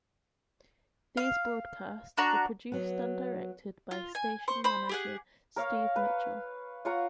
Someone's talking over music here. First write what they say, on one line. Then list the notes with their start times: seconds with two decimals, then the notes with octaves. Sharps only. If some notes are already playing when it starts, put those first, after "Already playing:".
These broadcasts were produced and directed by station manager Steve Mitchell.
1.17 F5
2.17 D4 F#4 A#5
2.72 F#3 B3
3.91 F4
4.15 G#5
4.48 C5 C6 C#6
4.64 C5 B5
4.89 G4 G#4 F#5
5.56 A#4 C#5 F5
5.96 B4
6.85 F4 C#5 F#5 A#5